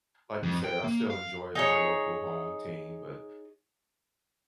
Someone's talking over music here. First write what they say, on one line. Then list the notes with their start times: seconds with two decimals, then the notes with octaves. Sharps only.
like you said, I still enjoy my local home team, but
0.43 F2
0.64 G5
0.84 A#3
1.10 F5
1.55 D#4 G#4 C#5